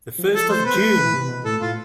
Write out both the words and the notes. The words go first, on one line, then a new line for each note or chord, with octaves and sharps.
The first of June!
F3
F3 A4
A3 C5
B3 B4
G3
A3
E3
C3
B2
A2 A4
A2 F4